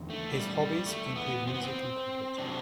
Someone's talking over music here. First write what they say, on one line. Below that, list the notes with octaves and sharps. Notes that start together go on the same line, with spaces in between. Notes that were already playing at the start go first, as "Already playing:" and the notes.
His hobbies include music and cricket.
Already playing: E2 D3
A3
G3
G3
A3
B3
C4
B3
C4
C3 F#3 D4